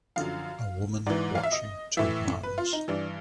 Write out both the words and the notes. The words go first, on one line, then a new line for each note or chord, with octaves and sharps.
A woman watching two lamas.
F#2 D3 F3 F5
G#2 E3 D5
F5
E5
D#5
A2 E3 E5
B4
F4
D#4
G2 E3 D4